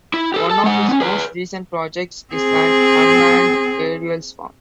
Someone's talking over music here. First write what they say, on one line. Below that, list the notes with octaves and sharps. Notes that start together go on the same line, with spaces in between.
One of its most recent projects is an unmanned aerial 'swarm'.
E4
G4 A4
A4 A5
G#3 F#5
B3 C#4
G#4 B4
C4 G#4